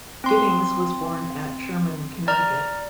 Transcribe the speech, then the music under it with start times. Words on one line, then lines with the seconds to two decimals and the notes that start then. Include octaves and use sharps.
Giddings was born at Sherman, Connecticut.
0.24 C4 C6
2.28 D5 A#5 F6